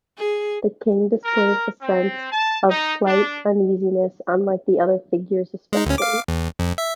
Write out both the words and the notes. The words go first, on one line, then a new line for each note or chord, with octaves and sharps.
The King displays a sense of slight uneasiness unlike the other figures especially.
G#4
A#4
C4
A5
D#4
D4
G#3 D#4
D2 C#4
F5 D6
E2
F2
E5